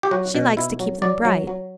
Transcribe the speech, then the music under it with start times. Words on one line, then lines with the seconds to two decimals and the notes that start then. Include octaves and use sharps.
She likes to keep them bright.
0.03 G4
0.11 F#3 F#4
0.35 B2
0.57 B2 E4
0.80 F#3
1.02 F#3 D5
1.25 F#3
1.47 F#3